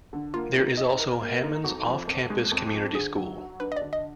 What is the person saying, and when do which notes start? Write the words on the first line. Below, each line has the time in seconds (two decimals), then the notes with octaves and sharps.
There is also Hammons off-campus community school.
0.13 D3
0.34 A#3 F4
0.56 D#4
0.77 D#5
0.99 A#4
1.21 A#3
1.43 D#4
1.64 F2 F#4
1.86 F3
2.07 F2
2.30 G#3
2.51 F2
2.73 F3
2.95 D3 G#4
3.16 F#3
3.38 F#4
3.60 D4 B4
3.72 D#5
3.77 D5
3.81 D3
3.93 D#5